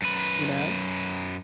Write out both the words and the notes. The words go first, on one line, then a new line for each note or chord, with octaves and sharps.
You know?
F#2 B4